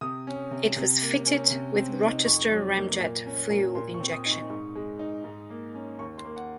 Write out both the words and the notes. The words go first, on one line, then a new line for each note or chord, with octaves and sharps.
It was fitted with Rochester Ramjet fuel injection.
C3 D#6
C#4
C3
C3
A#3
C#4
C3
C4
D#4
F2 C#6
F#3
A#3
A#2
C#4
A#2
A#2 C6
C#6
C4
D#6
D#4
C#6
G#2 C#6
G#3
D#4
G#2
A#3
C#4
D#2 C#6
C6
A#3
F#5